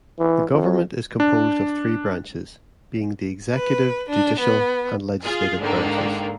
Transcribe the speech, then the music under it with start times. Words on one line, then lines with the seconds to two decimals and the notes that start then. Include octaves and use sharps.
The government is composed of three branches, being the executive, judicial, and legislative branches.
0.19 E3
0.54 F2
1.20 D4
3.53 B4
4.10 D4
4.40 B3
5.21 F4 G#4
5.59 G#2 D3 D#3 A#3